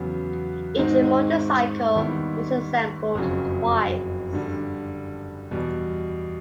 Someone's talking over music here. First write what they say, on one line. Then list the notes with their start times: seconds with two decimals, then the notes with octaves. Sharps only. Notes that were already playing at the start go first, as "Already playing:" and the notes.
Each motorcycle was assembled twice.
Already playing: E2 C#3 F#3 B3
0.77 G#2 D#3 G#3 C4 D#4
1.95 D#2 D#3 G3 B3 E4
3.14 F#1 F2 C#3 F#3
4.33 G2 D3 G3
5.51 E2 B2 G3